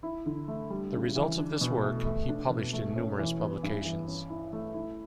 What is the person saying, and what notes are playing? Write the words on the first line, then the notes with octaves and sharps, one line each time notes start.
The results of this work, he published in numerous publications.
E4
D3
A3
G3
C#3
E3
D4
B2
A3
A3
D4
B2
A3
C#4
E3
B3
G2
E3
C#4
E4
A3
E4